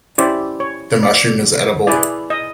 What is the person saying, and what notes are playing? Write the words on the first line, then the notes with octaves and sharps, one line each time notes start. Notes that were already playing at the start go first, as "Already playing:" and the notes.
The mushroom is edible.
C#4 E4 G4 C5 D5
C#5
D5
E4 G#4 B4 D5
D#5